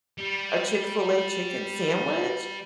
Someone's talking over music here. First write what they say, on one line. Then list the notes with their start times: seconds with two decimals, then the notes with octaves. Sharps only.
a Chick-fil-A chicken sandwich.
0.18 G3 G4